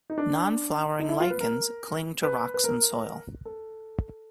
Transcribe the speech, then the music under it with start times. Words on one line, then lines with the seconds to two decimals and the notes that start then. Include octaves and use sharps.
Non-flowering lichens cling to rocks and soil.
0.10 D#4
0.18 D4
1.00 D#4
1.09 E4
1.20 F4
1.30 B4
1.41 A#4
2.23 B4
2.54 B4
2.64 A#4
3.45 A4